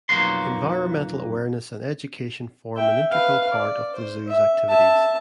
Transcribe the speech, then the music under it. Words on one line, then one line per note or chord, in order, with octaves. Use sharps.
Environmental awareness and education form an integral part of the zoo's activities.
B1 F2 A#3 F#4 C6
E5 G5
B4 F5
D5
C5
E5
E5 A5